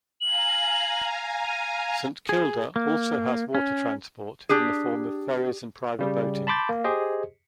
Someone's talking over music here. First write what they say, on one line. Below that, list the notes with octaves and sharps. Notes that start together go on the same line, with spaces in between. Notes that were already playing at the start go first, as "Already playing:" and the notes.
Saint Kilda also has water transport in the form of ferries and private boating.
F5 G#5 A#5 F#7
D#7
G#4
A#3
C#4
D4 G4 G#4
C#3 G3
A5 B5 C6 D6 G6 A6
A#3
G4 G#4 C5 D#5